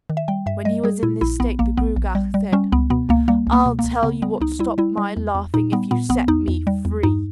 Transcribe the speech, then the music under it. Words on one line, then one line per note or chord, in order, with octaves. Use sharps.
When he was in this state the Gruagach said: "I'll tell you what stopped my laughing if you set me free."
D#3
E5
G3 G5
G2 E5
G3 D#5
G3 G#4
A#2 E4
A#1 E4
A#1 B3
A#1 A#3
A#1 B3
A#1
G3
G3
G3 C#4
C#2 B3
B2 B3
C#2 A#3
G3 A#3
C#2
A#3
B2
A#3
C#2
C#3 B3
G3 B3
C#2 D#4
G3 E4
G3 E4
G3
E2
E2
A#2 D#4
G3 B3
A#2 B3
A#1 B3
E2 D#4
E2
G3
E2
G2 D#4